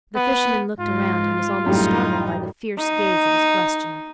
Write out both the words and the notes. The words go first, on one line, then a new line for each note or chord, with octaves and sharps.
The fisherman looked around and was almost startled by the fierce gaze of his questioner.
B3
G#2 F4
F#2 A2 G3 D#4
D#4